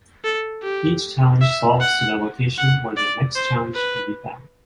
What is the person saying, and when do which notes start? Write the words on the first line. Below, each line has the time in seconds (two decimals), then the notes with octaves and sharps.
Each challenge solves to the location where the next challenge can be found.
0.24 A4
0.63 G4
1.41 E5
1.80 F#5
2.58 F#5
2.97 D5
3.36 C5
3.75 B4